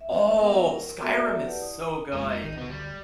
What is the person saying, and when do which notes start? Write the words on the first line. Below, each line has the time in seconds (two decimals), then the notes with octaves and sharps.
Oh, Skyrim is so good.
0.01 E5
0.39 B3 E4 A#4 E5 F#5 G5
0.69 A#4
1.01 B3 F#4 A4 D5 E5 A#5
1.45 E4 G4 B4 D5 F#5 A5
1.62 D#6
2.13 F2 A#2 G#3
2.32 D#4
2.44 A1 D#3
2.58 D2 B2 D3 B3
2.70 G3